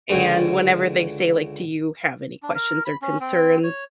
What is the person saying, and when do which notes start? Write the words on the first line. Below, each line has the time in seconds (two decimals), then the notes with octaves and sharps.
and whenever they say, like, "Do you have any questions or concerns?"
0.10 C#2 D3 F#4 G5 G#5
2.43 D4
2.55 A#4
2.85 B5
3.02 C#4
3.20 C4
3.64 C#5